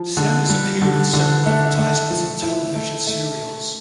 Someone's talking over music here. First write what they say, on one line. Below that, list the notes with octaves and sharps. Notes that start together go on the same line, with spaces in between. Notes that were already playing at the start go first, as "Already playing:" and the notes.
Sami has appeared in several advertisements and television serials.
Already playing: F3
D3
G3
D3
D3
A3
A3
F3
E4
A3
A3